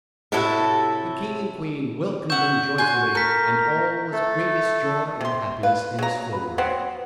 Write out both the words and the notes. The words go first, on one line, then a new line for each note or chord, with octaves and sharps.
The king and queen welcomed them joyfully, and all was greatest joy and happiness henceforward.
A2 C3 E4 F#4 A4 E5
E5 F#5 C#6 G6 E7
G#5 C6 F#6 G6
F#4
A4 A#4 F#6 B6
A3 A4
C3 C6
B4 F5
F#3 G#4 F5 A#5
F4 B4 B5
F#3 B3 C4 F#5